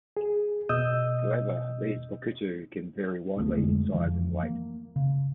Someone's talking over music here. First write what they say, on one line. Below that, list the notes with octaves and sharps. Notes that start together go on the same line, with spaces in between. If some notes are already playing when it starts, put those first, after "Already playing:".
However, these bokuto can vary widely in size and weight.
G#4
B2 D#5 D#6 E6 G6
G#1 D2 A3 B3
F2 D3 G#3
F2 E3 F3
A#3
C#3